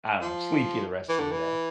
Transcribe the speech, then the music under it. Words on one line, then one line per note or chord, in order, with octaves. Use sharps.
I don't sleepy the rest of the day.
F3
E3
D3
E3